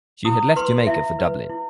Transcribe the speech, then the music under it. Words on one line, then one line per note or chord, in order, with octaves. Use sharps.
She had left Jamaica for Dublin.
E4 D#6
B4 C6
E4 E5
B4
E4